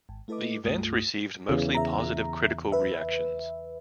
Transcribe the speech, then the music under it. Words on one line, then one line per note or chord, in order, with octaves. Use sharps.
The event received mostly positive critical reactions.
G#1
A3 E4 A4 B4 D#5 D6
C#2 G2 A3 F4 D#6
E2 C#3
E5 A#5
B4 E5